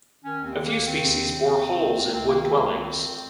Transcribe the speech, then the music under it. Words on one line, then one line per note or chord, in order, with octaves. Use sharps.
A few species bore holes in wood dwellings.
D#3 C#4
D#2 C4
D#3
A#3
D#2
D#3 C4
D#2
D#3
D#2
C3
D#3
C#2
C#2
C3 C4
D#3 A#3
C#2 C4
C#2 A#3
D#3 C4
F2
D#3